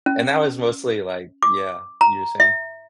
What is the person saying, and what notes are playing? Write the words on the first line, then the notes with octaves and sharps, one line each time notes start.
And that was mostly, like Yeah, you were saying?
C#4
D6
A#5
E5